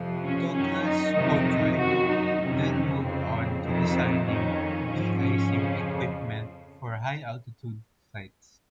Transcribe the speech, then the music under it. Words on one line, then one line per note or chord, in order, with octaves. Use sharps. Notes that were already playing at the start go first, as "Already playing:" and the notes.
Douglas Pobjoy then moved on to designing de-icing equipment for high-altitude flights.
Already playing: F2 C3 F3
C#4
F#2 D#3 C#4
D#4
F2 C3 D#3
F#2 D#3 F#4
D#4
F2 C3 D#3 C#4
F2 C#3 F3 C4
F2 C3 D#3 C4
F2 D#3 C#4
G#2 F3
C#4
F2 C#3 F3